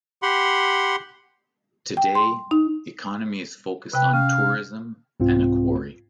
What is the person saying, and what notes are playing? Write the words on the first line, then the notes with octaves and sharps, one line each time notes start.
Today, economy is focused on tourism, and a quarry.
G4 F#5 B5 C6
G5
C6
D#4
C3 B4 G5
C#4 F5
C2 G#2 C4 F4